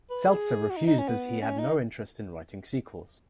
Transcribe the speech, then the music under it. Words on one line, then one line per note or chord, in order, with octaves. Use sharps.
Seltzer refused as he had no interest in writing sequels.
B4
G#4
F#4
D#4
D#4
C#4
B3
C#4
D#4